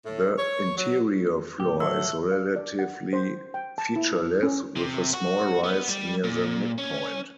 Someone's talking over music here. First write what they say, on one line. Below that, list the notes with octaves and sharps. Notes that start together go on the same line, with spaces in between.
The interior floor is relatively featureless, with a small rise near the midpoint.
A2
C#5
F#3
E2
A2 D3 G4
F#3 A3 E6
F5
D5
F#5
C5
G5
A5
E4
C#4
C3
F#4
B3
G3
A#2
C#4